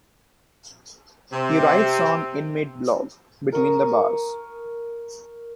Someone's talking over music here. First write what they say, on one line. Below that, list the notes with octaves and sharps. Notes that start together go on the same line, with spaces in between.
He writes on inmate blog "Between the Bars".
C3 C4
A#4 C#6 D#6